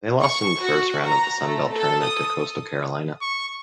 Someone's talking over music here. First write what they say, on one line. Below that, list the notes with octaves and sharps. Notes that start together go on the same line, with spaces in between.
They lost in the first round of the Sun Belt Tournament to Coastal Carolina.
C#6
F#4
A#5
A3
A4
D#6
C#6